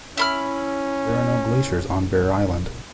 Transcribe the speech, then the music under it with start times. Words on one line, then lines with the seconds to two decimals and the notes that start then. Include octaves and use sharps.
There are no glaciers on Bear Island.
0.17 C#4 E4 B5 F6